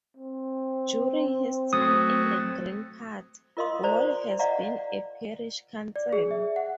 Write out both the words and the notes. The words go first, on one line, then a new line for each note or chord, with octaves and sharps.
During his time in the Green Party, Wall has been a Parish Councillor.
C4
F#3 A3 D#6
F4 A#4 D#5 F5 C6 D#6
C5 D5 A#5
D5 D#5 F5 F#5 A#5
D5
G#4
E5
F#5